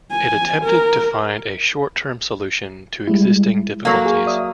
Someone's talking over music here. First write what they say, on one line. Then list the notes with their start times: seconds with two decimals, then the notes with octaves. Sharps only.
It attempted to find a "short-term solution to existing difficulties".
0.11 G#5
0.63 A#4
3.07 G3 G#3 E4
3.85 F#3 A#3 A4
4.06 G#4
4.26 D5 E5 D#6